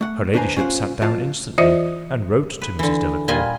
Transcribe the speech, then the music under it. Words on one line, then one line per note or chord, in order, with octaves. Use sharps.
Her ladyship sat down instantly, and wrote to Mrs. Delacour.
A3 F#5
D2 D4 B4 C5 G#5 A#5
C#4 F4 B4 C5 F5 F#5
F2 F3 F4 C5 F5 A5
E3 F4 C5 D#5 E5
B4
D3 E3
A#2 G3 F4 B4 D#5 G#5